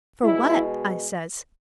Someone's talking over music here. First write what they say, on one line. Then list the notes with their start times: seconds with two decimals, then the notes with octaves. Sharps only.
"For what?" I says.
0.23 B2 G#3 E4